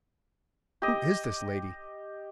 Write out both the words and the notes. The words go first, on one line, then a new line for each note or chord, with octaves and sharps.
Who is this lady?
G4 D#5